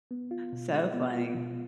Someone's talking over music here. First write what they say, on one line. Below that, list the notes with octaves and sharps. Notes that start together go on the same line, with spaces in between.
so funny.
B3
F4
B2
G#3
B3
F4
B2